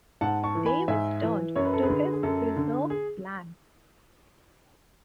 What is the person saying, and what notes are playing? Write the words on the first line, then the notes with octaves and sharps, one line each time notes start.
Davis turned to his reserve plan.
G#2 F#5 A5
A5 C#6
E3
G#5 B5
G#2 E5 G#5
E3
F#2 C#5
B4
A4
G#4 B4
D3
G#4
F#2 A4
D3
G#4